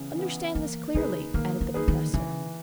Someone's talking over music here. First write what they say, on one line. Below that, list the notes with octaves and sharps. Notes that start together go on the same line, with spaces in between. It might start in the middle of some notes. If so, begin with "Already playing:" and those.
"Understand this clearly," added the Professor.
Already playing: C#3 E3 B3
E3 B3
E3 A#3
C#3 D#4 G#4 B4
D#3 A#3
D#3
D#4 G#4 B4
D#3
C#3 E3